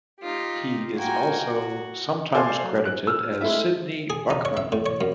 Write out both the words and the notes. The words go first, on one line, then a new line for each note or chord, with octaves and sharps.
He is also sometimes credited as Sydney Buchman.
D#4 F4 G4
A#3 F4 F#4 G5 G#5 A#5
F#4
A4 C5 D5 F5 G#5
F#3
F#6
E6 F6
G#3 A3 E4 E5
G#4
D#4
C#5
E5
A2
C#5
F#2